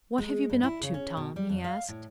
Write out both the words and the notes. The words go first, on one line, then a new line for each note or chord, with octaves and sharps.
"What have you been up to, Tom?" he asked.
G#3
G2
E4
C#3
C#4
B2
G3
F2
F5
A2